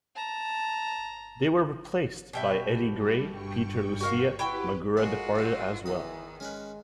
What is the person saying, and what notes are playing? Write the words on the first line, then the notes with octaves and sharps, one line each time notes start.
They were replaced by Eddie Gray and Peter Lucia; Magura departed as well.
A5 A#5
B2 G4 E5
G3
G2 G5 C#6
F#4 A#4 F5
E4 F#4 G4 B4 G5
G#2 G#3 F4 F#4 A#4 F#5
G2 F#3 A3
E2 D#3 E3 B3 D#6
G#3 C#4 A#4 B4